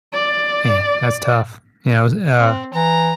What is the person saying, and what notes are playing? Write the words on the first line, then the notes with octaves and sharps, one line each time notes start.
Man, that's tough. Yeah, I was uh
D5
C4
E3 A#5